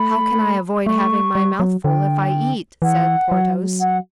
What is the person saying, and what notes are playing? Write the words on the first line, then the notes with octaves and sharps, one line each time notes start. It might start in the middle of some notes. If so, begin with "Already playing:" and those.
"How can I avoid having my mouth full if I eat?" said Porthos.
Already playing: A3 B5
A3 C#6
G3
F#3
D3 G5
E3 F#5
F#3
F#5